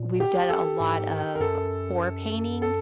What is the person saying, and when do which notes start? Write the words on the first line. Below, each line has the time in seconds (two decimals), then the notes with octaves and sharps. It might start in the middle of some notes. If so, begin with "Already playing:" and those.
we've done a lot of pour painting,
Already playing: A#2
0.20 G4
0.49 A4
0.80 G#2
1.35 A#4
1.40 F#2 A4
2.62 A4